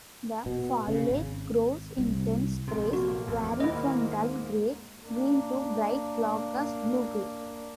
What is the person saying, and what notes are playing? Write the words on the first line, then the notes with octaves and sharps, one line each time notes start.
The foliage grows in dense sprays, varying from dull gray-green to bright glaucous blue-green.
B2
C#3
G#1
C2
A#1 C3 C6
B1 A#3 F#4
A1 F2 B2
D#2 G#2 E4 D#5
A#3 D4